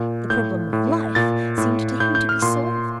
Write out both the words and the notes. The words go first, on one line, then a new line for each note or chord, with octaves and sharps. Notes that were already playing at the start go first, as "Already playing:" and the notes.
The Problem of Life seemed to him to be solved.
Already playing: A#2
A2 G6
A2
A#2 A6
A2
A2 G6
G6
F6
A#2 C6